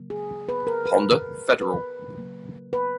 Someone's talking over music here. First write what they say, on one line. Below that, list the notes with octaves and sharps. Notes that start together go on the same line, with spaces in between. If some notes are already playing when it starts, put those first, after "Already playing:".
Honda Federal.
Already playing: C#3 F#3 A#3
G#4
B4
A#4
B4
B4
C#3 F#3 A#3
B4